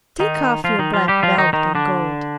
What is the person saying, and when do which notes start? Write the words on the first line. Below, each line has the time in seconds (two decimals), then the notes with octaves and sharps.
Take off your black velvet and gold!
0.20 D#3 D#4
0.64 F3 F4
0.79 D#3 D#4
0.94 F3 F4
1.08 G3 G4
1.23 F3 F4
1.38 D#3 D#4
1.53 D#3 D#4
1.75 D3 D4